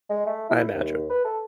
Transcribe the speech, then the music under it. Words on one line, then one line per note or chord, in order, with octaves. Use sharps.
I imagine,
G#3
A3
E4
D#2
B4
A4